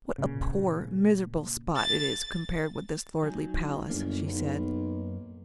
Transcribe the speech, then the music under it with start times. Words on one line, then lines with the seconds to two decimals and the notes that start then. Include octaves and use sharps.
"What a poor, miserable spot it is compared with this lordly palace!" she said.
0.18 A#2 C#3
1.76 A6
3.23 F#3 D#4 G#5
3.89 G1 F#2 A#3
4.26 B1